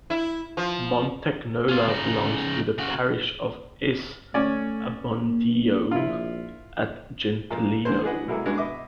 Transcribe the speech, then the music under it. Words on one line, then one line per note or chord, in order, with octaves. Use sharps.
Montagnola belongs to the parish of S. Abbondio at Gentilino.
E4
F3
C#4 F4
C#3 D#4
C#3 F#4
A3 C#4 D5
A#3
A#1 E4 F4
A#2 F3 A#3
D3 D#3 G#3 C5
D4 G#4 B4 D#5 F#5
B2 F#3 G#3 A#3 E4 A4
G2 G#3 B3 D4 F#4
B2 D#5 E5 D6